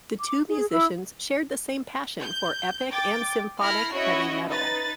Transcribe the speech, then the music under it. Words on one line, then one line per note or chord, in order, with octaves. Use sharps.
The two musicians shared the same passion for epic and symphonic Heavy Metal.
D6
G#4
E4 E6
G6
G5 D6 A6
E4 A4 B5 F6 A#6 C7
C#4 E4 F#4 C#5 D#5
D#4 B4 A6